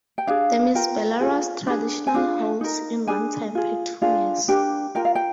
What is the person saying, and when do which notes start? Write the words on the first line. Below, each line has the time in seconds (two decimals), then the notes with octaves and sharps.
The Miss Belarus traditionally holds in one time per two years.
0.18 G5
0.27 D4 G#4 F5
0.75 F4 A#4 G5
1.20 F4 G#4
1.67 D4 G#4
2.07 G#5
2.14 D4 F4 G#4
2.61 D#4 A#4
3.07 D4 G#4 G#5
3.55 F4 G#4
4.02 D4 F4 G#4
4.48 D4 G4 A#4 G5
4.95 F4 A#4 G5
5.05 F5
5.15 G5